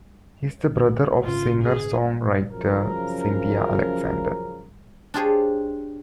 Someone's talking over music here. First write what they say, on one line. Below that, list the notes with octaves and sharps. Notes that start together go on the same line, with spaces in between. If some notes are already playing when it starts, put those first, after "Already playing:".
He is the brother of singer-songwriter Cynthia Alexander.
G#1 C#3 F4
G#4
F#2 C#3 F3 A#4
D4 F4 G4 G#4 C5 C#5